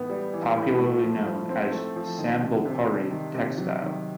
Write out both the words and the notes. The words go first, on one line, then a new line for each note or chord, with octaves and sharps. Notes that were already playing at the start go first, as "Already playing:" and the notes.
Popularly known as Sambalpuri Textile.
Already playing: A2 E3 B3
G3
E3
A2
A3
F3
F3
C4
A3
F3
D#3
C3
C3
G3
D#3
C3
F#3
D#3